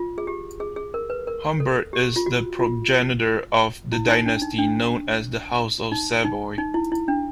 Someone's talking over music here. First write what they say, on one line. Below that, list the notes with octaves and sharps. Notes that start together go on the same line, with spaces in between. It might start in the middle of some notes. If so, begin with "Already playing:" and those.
Humbert is the progenitor of the dynasty known as the House of Savoy.
Already playing: F4
G#4
G4
G#4
G#4
A#4
B4
A#4
A4
G4
F4
F#4
F4
E4
D#4
D4
D#4
D4
D#4
D#4
D#4
E4
E4
D4